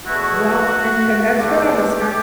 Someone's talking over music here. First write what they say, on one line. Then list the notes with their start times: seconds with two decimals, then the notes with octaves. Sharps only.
Well, and and that's what I was going
0.06 E2 B2 A3 E4 F#4
1.37 E2 D3 A3 G4